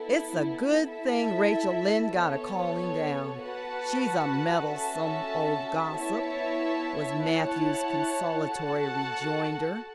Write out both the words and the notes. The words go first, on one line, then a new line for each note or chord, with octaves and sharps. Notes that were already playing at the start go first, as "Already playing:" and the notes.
"It's a good thing Rachel Lynde got a calling down; she's a meddlesome old gossip," was Matthew's consolatory rejoinder.
Already playing: B3 E4 A4
E4 A4 E5 A5
B3 A4 C#5
F#4 B4 F#5 A5
C#4 F#4 A4 E5 A5
B3 E4 C#5 E5 A5
E4 C#5 F#5 A5
F#4 A4 F#5 A5